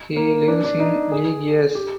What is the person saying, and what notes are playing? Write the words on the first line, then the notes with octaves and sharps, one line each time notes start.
He lives in le Gers.
A#3
D4
D4
D#4
G#4
G4